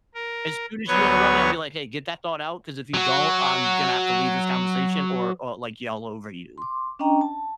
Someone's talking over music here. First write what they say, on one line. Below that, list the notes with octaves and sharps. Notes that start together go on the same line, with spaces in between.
As soon as you interrupt me, imma be like, "Hey, get that thought out, 'cause if you don't, I'm gonna have to leave this conversation or or, like, yell over you."
A#4
D2 F#3 B3 B4 C#5 C#6
F#3 F#4
C6 D6
C#4 D4 D#5 G5 A#5
A5